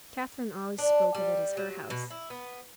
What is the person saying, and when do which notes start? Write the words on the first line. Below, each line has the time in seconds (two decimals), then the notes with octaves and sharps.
Catherine always spoke of it as her house.
0.78 D4
1.15 G3
1.57 F#3
1.90 B2
2.10 E4
2.30 B3